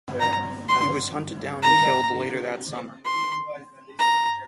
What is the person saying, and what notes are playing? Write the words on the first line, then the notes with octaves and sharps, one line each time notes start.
He was hunted down and killed later that summer.
A#5
C6
A#5
C6
A#5